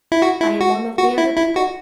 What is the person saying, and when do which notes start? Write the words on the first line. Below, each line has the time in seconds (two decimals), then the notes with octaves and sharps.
I am one of the other people.
0.12 E4
0.22 F#4
0.41 E4
0.61 F#4
0.99 F#4
1.18 E4
1.37 E4
1.56 F#4